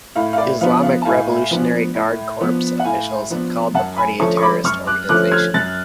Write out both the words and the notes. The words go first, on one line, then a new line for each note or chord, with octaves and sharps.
Islamic Revolutionary Guard Corps officials have called the party a terrorist organization.
A2 F5
F5
D5
F3 B3 D4 F5
F5
A5
A2 F5 G#5
F3 B3 D4
A2
F3 B3 D4
F#5
A2 F5 G#5
F3 B3 D4
F#2 F#5 A5
G#5 B5
D3 F3 A3 C#4 A5 C#6
C#6
B5 D6
F#2 C#6 F6
D6 F#6
D3 F3 A3 C#4 D6 F#6
F6 G#6
F#2 F#6 A6